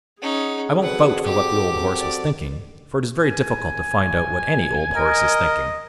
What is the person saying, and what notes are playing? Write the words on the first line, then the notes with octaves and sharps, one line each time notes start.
I won't vouch for what the old horse was thinking, for it is very difficult to find out what any old horse is thinking.
C#4 D#4 G#4 F#5
C4 F#4 A4 B4 F#5
G4 D6
D5
G#5
A#4 D#5